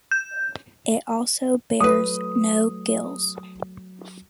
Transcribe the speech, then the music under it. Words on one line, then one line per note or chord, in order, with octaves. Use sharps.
It also bears no gills.
G6
F#3 A3 B4 D#6